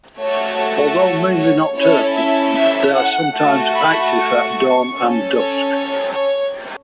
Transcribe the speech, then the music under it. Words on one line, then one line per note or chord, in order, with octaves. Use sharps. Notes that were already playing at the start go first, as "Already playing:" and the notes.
Although mainly nocturnal, they are sometimes active at dawn and dusk.
A3 F#4 A4 C#5
C#5
C#5
C#4 E4 A4 C#5
E5
E5
F#5
A3 F#4 A4 A5
B5
C#6
C#4 A4
C#5
C#5
C#5